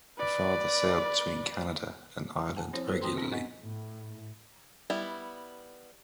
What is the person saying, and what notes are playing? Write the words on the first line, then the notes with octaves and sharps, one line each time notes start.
Her father sailed between Canada and Ireland regularly.
B4 D5
F#5 G#5 A5
F3 C4 E4 C5 C#5
F#4 G4 A4 B4 C5
C4 F4 F#4 G5 A#5 C6
C4 D4
B3 D#5 F#5 C#6
A2
G3 B3 E4